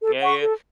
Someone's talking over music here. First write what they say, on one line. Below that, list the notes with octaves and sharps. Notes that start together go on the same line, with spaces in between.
Yeah, yeah.
A4
F#5 C#6
A4